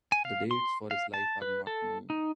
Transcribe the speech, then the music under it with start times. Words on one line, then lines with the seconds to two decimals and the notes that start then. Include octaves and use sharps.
The dates for his life are not known.
0.12 G#5
0.25 F5
0.51 C6
0.91 F5
1.14 A5
1.42 B4
1.67 A4
2.10 D#4